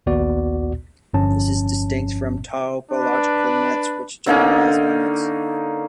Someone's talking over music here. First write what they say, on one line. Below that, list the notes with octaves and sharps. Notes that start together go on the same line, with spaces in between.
This is distinct from topological nets which generalise limits.
A#1 D#2 B3 F#4 D5
G1 G2 F3 C#4 A5
D4 B4
D3 A#3 C#4 D#4